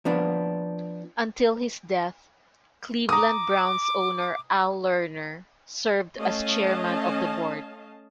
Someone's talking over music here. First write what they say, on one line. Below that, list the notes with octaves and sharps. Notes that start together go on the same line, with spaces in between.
Until his death, Cleveland Browns owner Al Lerner served as Chairman of the Board.
F3 B3 D4
A#5 D6 D#6
A3 C#4 D#5 F5 A5